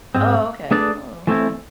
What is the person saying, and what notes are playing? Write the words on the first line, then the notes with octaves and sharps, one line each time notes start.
Oh, okay, oh, okay
G#2 G#3 C4
A3 D4 G#4 B4 D5
E3 A3 C4 E4